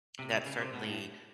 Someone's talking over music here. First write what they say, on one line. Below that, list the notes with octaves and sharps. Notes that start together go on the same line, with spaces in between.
that certainly,
C3
C#3
C3
B2
A2